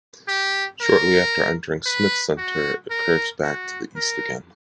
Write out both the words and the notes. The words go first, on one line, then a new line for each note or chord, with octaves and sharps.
Shortly after entering Smith Center it curves back to the east again.
G4
A#4
B4
F#4
A#4
F#4
A#4